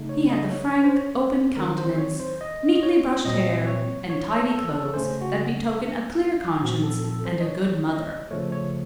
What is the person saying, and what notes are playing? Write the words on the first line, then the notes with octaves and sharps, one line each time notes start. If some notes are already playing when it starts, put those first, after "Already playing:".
He had the frank open countenance, neatly brushed hair and tidy clothes that betoken a clear conscience and a good mother.
Already playing: C#3 A3 D#4
C#5
D#5
C#5
C#5
C5
C#5
C5
D#3 F#3 C4 A#4
C5
C#5
C5
D#5
D#5
C#5
A#2 F#3 C4 D#5
C#5
C#5
C#5
A4
A4
C#3 A3 C#4 C5
F#4
A#2 F3 C4 F#4
A4
A4
C5
D#5
C#5
D#5
C#3 F3 A3 C#5
C#5